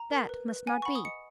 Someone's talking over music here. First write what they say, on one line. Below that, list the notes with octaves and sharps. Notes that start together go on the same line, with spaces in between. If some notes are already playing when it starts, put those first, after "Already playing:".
That must not be.
Already playing: A#5
A#4
B4
B4
F#5 G#5
C#6
F#5 B5
D#6
D#5 C#7